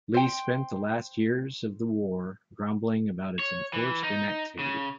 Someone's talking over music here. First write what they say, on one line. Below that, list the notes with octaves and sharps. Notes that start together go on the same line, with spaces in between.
Li spent the last years of the war grumbling about his enforced inactivity.
C5 G5
C#5
E3
D#4
C#3